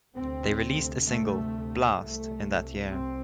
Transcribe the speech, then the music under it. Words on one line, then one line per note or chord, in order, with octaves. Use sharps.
They released a single, "Blast", in that year.
D2 C3 C4
A3
C2 C3 A3
C4